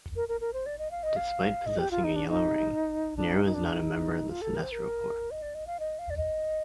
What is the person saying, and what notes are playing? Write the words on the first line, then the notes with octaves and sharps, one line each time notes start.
Despite possessing a yellow ring, Nero is not a member of the Sinestro Corps.
A#4
A#4
A#4
C5
D5
D#5
F5
D#5
F5
D#5
G4
F4
D#4
D4
D#4
D4
D#4
D#4
D4
D#4
F4
A4
A#4
C5
A#4
D#5
D5
D#5
F5
D#5
F5
D5
D#5